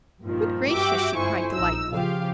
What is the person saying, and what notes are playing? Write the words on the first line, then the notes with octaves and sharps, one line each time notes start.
"Good gracious!" she cried, delightedly.
G2 A#2 D#3 F3
G2 F#4 G4 E5 G5 D6
G1 F2 E4 C5 G#5 C#6
A#1 D#4 E6
C#3 F3 F4 G4 F5